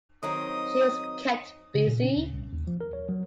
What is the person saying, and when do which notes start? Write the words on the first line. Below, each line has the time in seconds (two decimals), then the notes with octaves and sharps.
She was kept busy.
0.23 D#3 F#3 C4 D#4 D#5 D#6
1.75 C#3
1.87 A#2
2.03 C#4
2.16 D2
2.33 C2
2.53 D#2
2.67 F3
2.81 A#4
2.93 C#5
3.09 F#3